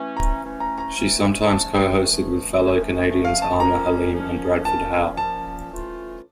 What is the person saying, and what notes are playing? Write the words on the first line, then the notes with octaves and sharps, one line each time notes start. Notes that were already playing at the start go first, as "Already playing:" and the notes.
She sometimes co-hosted with fellow Canadians Aamer Haleem and Bradford How.
Already playing: E3 A3 C#4
A#5
E3 A3 C#4
A#5
A#5
E3 A3 C#4
G2 F3 A3 C#4 A5
G5
G2 F3 A3 C#4
G2 F3 A3 C#4
G2 F3 A3 C#4
F5
A5
A#2 F3 C#4 A#5
A#2 F3 C#4
A#2 F3 C#4 A5
A#2 F3 C#4 A5
A2 E3 A3 C#4 F4